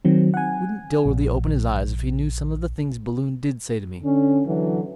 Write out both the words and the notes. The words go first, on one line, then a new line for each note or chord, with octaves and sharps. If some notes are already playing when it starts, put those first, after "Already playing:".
Wouldn't Dilworthy open his eyes if he knew some of the things Balloon did say to me.
D#3 F#3 C4
F#5 G#5
A#1
D3 C#4
D3 E3 F#3